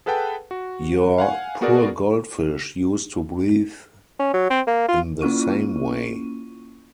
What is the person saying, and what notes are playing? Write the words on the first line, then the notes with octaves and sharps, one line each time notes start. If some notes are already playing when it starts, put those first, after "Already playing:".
Your poor goldfish used to breathe in the same way.
G#4 A4 B4 F#5 G5 A5
F#4
F5 F#5 G#5
A#3 B3 F#4 G#4 A#4 D5
C#4
F#3
C4
A#3
F4
A#3 C#4 E4 F4 C#6 D#7